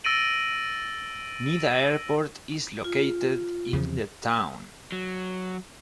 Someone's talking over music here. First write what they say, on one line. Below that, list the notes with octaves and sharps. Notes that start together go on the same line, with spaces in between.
Nida Airport is located in the town.
E6 A6 A#6 D7 D#7 F#7
F4
E2 C#3 F3
F#3